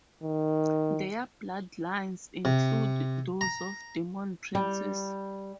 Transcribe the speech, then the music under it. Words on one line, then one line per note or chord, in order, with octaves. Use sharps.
Their bloodlines include those of demon princes.
D#3
C3
A#5
G3